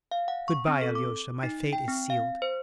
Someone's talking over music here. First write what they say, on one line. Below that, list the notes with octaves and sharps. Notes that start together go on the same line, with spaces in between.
Good-by, Alyosha, my fate is sealed.
F5
F#5
C#6
C4
A4
D6
D#4
G5
C4
F5
C5